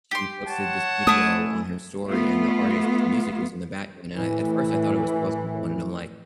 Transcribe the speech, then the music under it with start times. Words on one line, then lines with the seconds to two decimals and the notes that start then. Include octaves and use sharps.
she posted this video on her story and the artist's music was in the background, and I at first I thought it was Post Malone and I'm like,
0.11 G4 C6
0.47 C#5 F#5 A5
1.07 A3 E4 G#5 D#6
2.08 A3 B3 F4
4.14 A2 E3